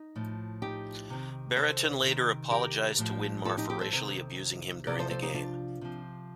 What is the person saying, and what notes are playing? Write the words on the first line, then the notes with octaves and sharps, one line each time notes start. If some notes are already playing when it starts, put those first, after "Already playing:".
Brereton later apologised to Winmar for racially abusing him during the game.
Already playing: D#4
A2 F3
D#4 G4
C3 D#3
A4 C5
C3 D#3
G4 A#4
A2 F3
F4 A4
D#4 G4
D#4 G4
A4 C5
C3 D#3 A4 C5
C3 F3 A#4 D5
A4 C5
A4 C5
D#4 G4
D4 F4
C3 F3